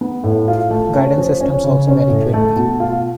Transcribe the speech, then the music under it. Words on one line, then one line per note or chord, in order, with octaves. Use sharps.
Guidance systems also vary greatly.
B3
A2
F4
A3
C#4
F3
C#4
C#3
C#4
A2
A3
B2
F4